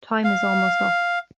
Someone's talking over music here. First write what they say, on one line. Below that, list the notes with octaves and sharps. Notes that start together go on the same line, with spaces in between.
Time is almost up.
F5